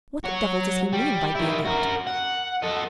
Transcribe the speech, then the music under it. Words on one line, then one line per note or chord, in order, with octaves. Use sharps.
What the devil does he mean by being out?
F#4 C#5
G3
D#3 E4
F#4 A#4
F#5
A4 D#5